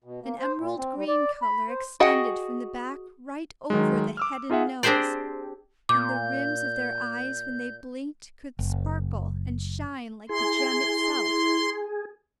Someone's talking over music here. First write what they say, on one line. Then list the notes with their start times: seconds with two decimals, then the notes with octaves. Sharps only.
An emerald green colour extended from the back right over the head and nose; and the rims of their eyes when they blinked could sparkle and shine like the gem itself.
0.04 B2
0.23 A#3
0.40 C5
0.59 A#2
0.77 C4
0.96 G3
1.08 D5
1.42 B5
1.69 C5
2.00 F#4 G#4 D#5 F#5 G5
3.70 D#3 F#3 G#3
4.17 D6 E6 F6
4.50 D#4 F4 G#4 E5 F#5
4.83 C4 D4 G4 G#4 C5 D5
5.89 A#2 D6 G6
8.59 F#1
10.29 E4 G#4 C6